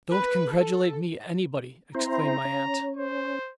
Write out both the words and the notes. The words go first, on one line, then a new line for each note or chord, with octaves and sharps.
'Don't congratulate me, anybody!' exclaimed my aunt.
B4
A4
C4 E4 C5 A#5
C#4
C5